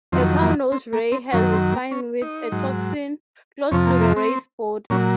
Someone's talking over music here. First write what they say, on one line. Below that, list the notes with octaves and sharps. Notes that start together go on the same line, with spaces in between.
A cownose ray has a spine with a toxin, close to the ray's body.
F2 D#3 F#3 C4
A#3
C4
A#3
C4
F#2 D#3 F#3 C#4
C4
A#3
C#4
D#4
G#2 F#3
F2 C3 F3 C#4
A#3
A#3
C4
A#2 F#3 C#4